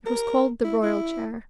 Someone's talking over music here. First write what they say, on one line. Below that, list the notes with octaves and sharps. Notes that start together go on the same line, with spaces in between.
It was called the royal chair.
A#4
E4
E4